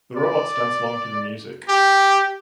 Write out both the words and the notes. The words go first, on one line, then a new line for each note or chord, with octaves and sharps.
The robots dance along to the music.
D5
G4